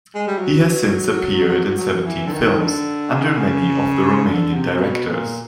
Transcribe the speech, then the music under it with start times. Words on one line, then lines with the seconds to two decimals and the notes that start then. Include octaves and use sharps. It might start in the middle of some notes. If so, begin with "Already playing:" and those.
He has since appeared in seventeen films, under many of the Romanian directors.
0.15 G#3
0.27 G3
0.39 F#3
1.49 F#3
1.77 F#3
2.05 E3
2.26 D3
2.32 D#3
2.59 D3
3.15 C#3
3.25 D3
3.36 C#3
4.26 D3
4.54 C3
4.77 A#2
4.81 B2
5.09 A#2